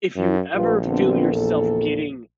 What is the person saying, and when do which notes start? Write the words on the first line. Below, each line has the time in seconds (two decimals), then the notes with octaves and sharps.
if you ever feel yourself getting
0.16 F#2
0.55 A#1 F4 G4 B4
0.86 D3 B3 C4
1.33 E2 A#2 A4